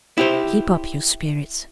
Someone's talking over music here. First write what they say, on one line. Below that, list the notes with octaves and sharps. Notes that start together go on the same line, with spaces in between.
Keep up your spirits.
E4 G4 C5